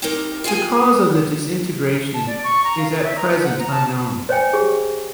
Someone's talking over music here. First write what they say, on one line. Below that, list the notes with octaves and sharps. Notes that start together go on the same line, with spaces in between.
The cause of the disintegration is at present unknown.
C4 D#4 G4 A4 A#4
F4 G#4 G5 G#5
A5
D5
C#6
A#5
F5
A#4
E5
A#5
B4
F#5
A#5
A5
C5 C#5 D#5 G5 G#5
G4 G#4